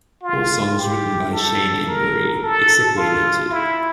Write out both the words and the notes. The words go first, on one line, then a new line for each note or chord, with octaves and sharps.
All songs written by Shane Embury, except where noted.
F4
G4
A4
A#4
A4
F4
E4